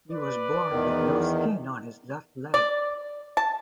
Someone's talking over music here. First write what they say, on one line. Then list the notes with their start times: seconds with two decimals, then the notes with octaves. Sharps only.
He was born with no skin on his left leg.
0.11 B4 D5
0.70 E2 D#3
2.54 D5
3.37 A5